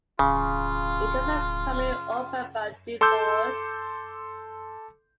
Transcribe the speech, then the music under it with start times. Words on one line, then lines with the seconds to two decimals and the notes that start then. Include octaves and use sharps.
It is a family opera about divorce.
0.19 D1 C#3 F4
3.01 A4 C6 D6 E6 G6